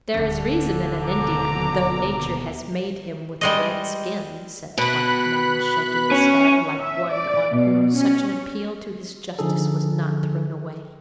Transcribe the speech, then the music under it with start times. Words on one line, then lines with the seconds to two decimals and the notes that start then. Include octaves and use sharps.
"There is reason in an Indian, though nature has made him with a red skin!" said the white man, shaking his head like one on whom such an appeal to his justice was not thrown away.
0.14 D1 G#1 D3
1.05 D#2 B2 A#5 D6
3.41 G3 G#3 D#5
4.78 B2 B3 B5 F#6
6.11 C#4
6.81 E5
7.12 D5
7.52 B2
7.94 C#4
9.39 D3 F3 D#4 G#4 A4